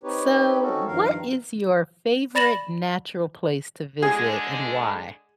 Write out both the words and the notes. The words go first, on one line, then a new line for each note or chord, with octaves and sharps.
So, what is your favorite natural place to visit and why?
C4 D#4 G4 B4 C#5
C4 C#4 D#4 F#4 A4
G2 D#3 F3 A#4 F5
D5 B5 A6 A#6 E7 F#7
D3 G#3 G#4